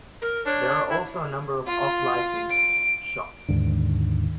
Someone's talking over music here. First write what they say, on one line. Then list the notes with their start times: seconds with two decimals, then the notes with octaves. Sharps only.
There are also a number of off-licensed shops.
0.22 A#4
0.46 D4 C#5
0.90 E4
1.67 F4
2.50 D7
3.49 D#2 G#2 D3